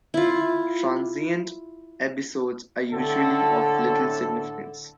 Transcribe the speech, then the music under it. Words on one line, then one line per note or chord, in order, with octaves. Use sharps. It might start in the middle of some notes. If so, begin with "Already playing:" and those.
Transient episodes are usually of little significance.
E4 F4
A2 D3 A4